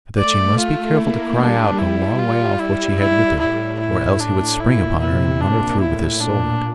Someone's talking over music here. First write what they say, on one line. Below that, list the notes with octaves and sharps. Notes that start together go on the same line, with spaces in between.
But that she must be careful to cry out a long way off what she had with her, or else he would spring upon her and run her through with his sword.
A3 D5
A3 F4
A#3 E4
G3 D4
E4
G3 F4
E4
E4
A2 E4
E4
D4
A#2 E4
C3 E4
A#2 D4
A2 E4
A#2 D4